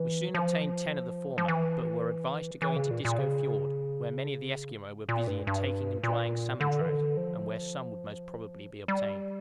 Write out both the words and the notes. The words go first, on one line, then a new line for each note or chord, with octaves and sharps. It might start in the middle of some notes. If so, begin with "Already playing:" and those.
We soon obtained ten of the former, but were advised to go into Disco Fiord, where many of the Esquimaux were busy in taking and drying salmon-trout, and where some would most probably be obtained.
Already playing: E3
F3
F3
E3
E3
C#3
A#2
A#2
C#3
A#2
G2
G2
A#2
D3
E3
D3
F3
G3